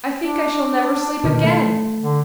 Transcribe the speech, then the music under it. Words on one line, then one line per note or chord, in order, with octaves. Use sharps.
I think I shall never sleep again.
D4
B2 D#3
A3
D3